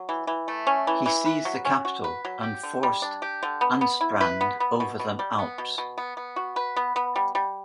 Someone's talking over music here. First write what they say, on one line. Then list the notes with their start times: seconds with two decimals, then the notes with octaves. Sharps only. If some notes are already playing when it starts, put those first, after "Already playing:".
He seized the capital and forced Ansprand over the Alps.
Already playing: F#3
0.09 E3
0.27 E3
0.48 A3
0.67 C#4
0.87 E3
1.06 E3
1.25 B4
1.45 F#3
1.65 C#4
1.85 F#4
2.04 B4
2.25 F#3
2.43 G4
2.63 D3
2.83 G3
3.02 D4
3.22 G4
3.43 D3
3.61 B3
3.81 B3
4.01 E4
4.21 B4
4.41 B3
4.60 B3
4.80 B2
4.99 B2
5.19 G3
5.38 B3
5.58 B2
5.78 B2
5.98 B3
6.17 B3
6.36 F#4
6.56 B4
6.76 B3
6.96 B3
7.16 G3
7.35 G3